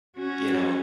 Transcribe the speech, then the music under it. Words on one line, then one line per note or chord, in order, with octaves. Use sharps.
you know,
C#4 F#4